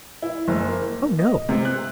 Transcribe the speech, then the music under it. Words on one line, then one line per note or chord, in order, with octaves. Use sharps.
"Oh no."
E4
F#1
A#3
D#5
C3
F#6